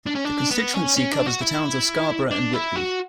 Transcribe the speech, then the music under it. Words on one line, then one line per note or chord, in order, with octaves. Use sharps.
The constituency covers the towns of Scarborough and Whitby.
D4
C#4
D4
B3
C#4
C#4
D4
F#4
E4
D4
E4
F#4